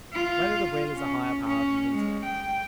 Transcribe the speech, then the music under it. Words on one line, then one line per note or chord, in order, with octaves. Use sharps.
Whether the Will Is a Higher Power Than the Intellect?
F4
C#4
C#4
G#3
G5